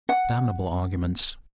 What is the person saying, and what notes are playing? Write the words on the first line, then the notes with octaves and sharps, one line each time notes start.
Damnable arguments!
F#5